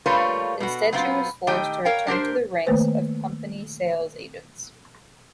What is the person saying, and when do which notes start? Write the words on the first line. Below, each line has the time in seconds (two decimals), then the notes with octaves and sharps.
Instead she was forced to return to the ranks of company sales agents.
0.06 G3 A3 A#3 F4 B4 C#5
0.60 B2 F#4
0.93 F#3 B3 C4 E4 F4
1.47 D#3 A3 G4 D#5 G5
1.85 A#4 C#5 F5 G5
2.07 D4 G4 A#4 C5
2.67 D#3 A3 A#3 B4 C5